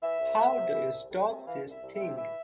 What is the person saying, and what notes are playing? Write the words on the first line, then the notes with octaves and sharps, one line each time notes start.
How do you stop this thing?
E3 E5
C2
C2
C3
E3
C2
C2
C3
E3 F5
C2
E5
C2
E5
C3
E3 E5